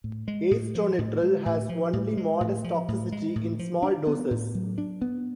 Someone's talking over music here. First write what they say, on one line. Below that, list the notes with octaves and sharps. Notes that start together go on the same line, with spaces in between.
Acetonitrile has only modest toxicity in small doses.
A2
G#3
A2
F3
A2
G#3
A2
F3
A2
G#3
A2
F3
A2
G#3
A2
F3
D4
B3
A2
F#3
D4
B3